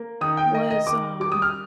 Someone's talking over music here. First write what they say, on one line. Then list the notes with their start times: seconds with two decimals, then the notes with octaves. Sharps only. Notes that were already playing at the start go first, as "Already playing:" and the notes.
was, um
Already playing: A#3
0.21 D#3 D#6
0.37 G5
0.54 A#3 D#5
0.71 D#5
0.87 D#3 D6
1.20 G3 D6
1.32 D#6
1.42 F6